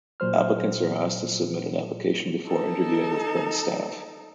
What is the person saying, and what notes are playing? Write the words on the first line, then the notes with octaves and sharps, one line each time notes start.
Applicants are asked to submit an application before interviewing with current staff.
A#2 F#3 C5 F6
D#4 A4